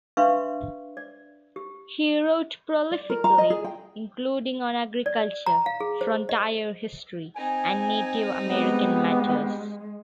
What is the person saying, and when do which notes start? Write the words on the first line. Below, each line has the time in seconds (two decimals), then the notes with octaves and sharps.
He wrote prolifically, including on agriculture, frontier history and Native American matters.
0.17 D4 B4 E5 F5 C6 C#6
0.97 D5
1.56 G4
2.91 D5
3.10 A#4
3.24 A#5
3.38 D#5
3.50 G#4
3.64 G5
5.06 D5
5.46 A#5
5.66 F5
5.81 G#4
6.01 C5
6.29 D#5
7.37 C4 D#4 G#5
8.47 G2 G3 G#3 B3 G4